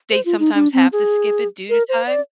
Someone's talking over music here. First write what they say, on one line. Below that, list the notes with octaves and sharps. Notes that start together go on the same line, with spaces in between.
they sometimes have to skip it due to time.
C5
F4
D#4
D4
C4
G#4
A#4
C5
D5